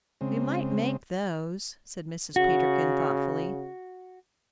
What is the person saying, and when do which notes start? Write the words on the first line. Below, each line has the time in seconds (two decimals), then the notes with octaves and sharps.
"We might make those," said Mrs. Peterkin, thoughtfully.
0.21 C#3 G#3 C4
2.36 C#3 F#4